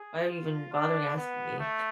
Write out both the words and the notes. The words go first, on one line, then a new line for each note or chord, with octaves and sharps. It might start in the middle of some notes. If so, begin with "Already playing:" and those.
why are you even bothering asking me?”
Already playing: G#4
F4
D4
B3
A3